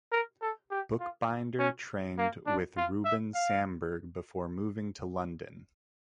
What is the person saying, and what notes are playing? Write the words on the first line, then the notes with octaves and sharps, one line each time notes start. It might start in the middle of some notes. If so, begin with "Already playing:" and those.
Bookbinder trained with Rouben Samberg before moving to London.
A#4
A4
G4
F4
C#4
A#3
D4
F4
E5
F5